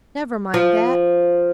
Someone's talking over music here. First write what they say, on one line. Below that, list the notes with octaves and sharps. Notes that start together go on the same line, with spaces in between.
'Never mind that.
F3